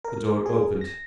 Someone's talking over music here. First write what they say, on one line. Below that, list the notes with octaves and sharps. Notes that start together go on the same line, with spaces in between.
The door opened.
A#4
G#4
A#6